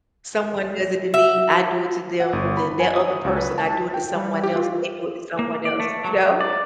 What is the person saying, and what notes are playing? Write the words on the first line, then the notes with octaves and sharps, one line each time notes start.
Someone does it to me, I do it to them, then that other person, I do it to someone else, they do it to someone else, you know?
F#4 E5
F#5
G1
B5
G#5
D#6
C#2
B4
A5
G5
G3
G4
F4
A#3
D5
A3
F#3
D5